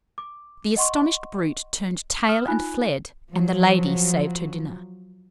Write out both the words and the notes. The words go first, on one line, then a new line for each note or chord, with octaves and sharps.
The astonished brute turned tail and fled, and the lady saved her dinner.
D6
D#5 F#5 C6 C#6
D#6 F6 E7
D#4 F4 G#5 B5 F#6
F3 F#3